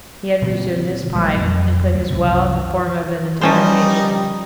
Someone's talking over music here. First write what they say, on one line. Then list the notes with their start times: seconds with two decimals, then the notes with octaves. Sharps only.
He had resumed his pipe, and put his 'well' in the form of an interrogation.
0.42 A#2 C#3 E3 C4
1.15 A#1 G3 A3
1.39 F2 F#3 A3
1.92 D2
2.10 C2 F#2 C3
3.41 F3 G3 C#4 D#4 C5